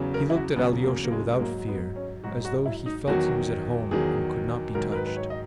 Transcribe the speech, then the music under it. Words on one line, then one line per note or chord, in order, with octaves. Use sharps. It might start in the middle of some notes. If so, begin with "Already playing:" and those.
He looked at Alyosha without fear, as though he felt he was at home and could not be touched.
Already playing: E2 C#3 F#3
A#4
E4
F#4
E2 C#3 F#3 B3
A#3
A#3
G#3
G#3
G#2 F#3 A#3
B3
C#4
G#2 F#3 F#4
F#4
E4
D#4
E2 D#3 F#3 F#4
E2 D#3 F#3 G#4
G#2 D#3 F#3 A#4
A#4
B4
B4
C#5
D#5